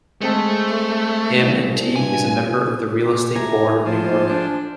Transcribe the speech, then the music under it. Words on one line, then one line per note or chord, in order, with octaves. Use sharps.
M and T is a member of the Real Estate Board of New York.
G#3 A3 C4 A5
C2
G2 G#5
G4
A3 G#5 A#5
A#2 F3 C5 G#5 A5
D4